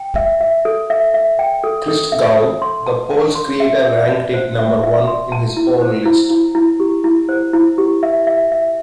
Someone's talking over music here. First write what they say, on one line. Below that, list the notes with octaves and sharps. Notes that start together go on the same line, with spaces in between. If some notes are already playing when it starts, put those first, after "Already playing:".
Christgau, the poll's creator, ranked it number one in his own list.
Already playing: G5
E5
E5
A4
E5
E5
G5
A4
A4
E5
A4
C6
A5
A5
C6
E5
E5
A5
C5
E5
E5
C6
A5
E4
C5
E4
E4
E4
G4
E4
C5
E4
G4
E5
E5
E5